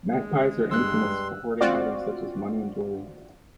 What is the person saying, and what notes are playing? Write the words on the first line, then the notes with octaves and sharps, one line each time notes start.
Magpies are infamous for hoarding items such as money and jewelry.
G#3
G2 C6 E6 F#6
C4 F4 F#4 D5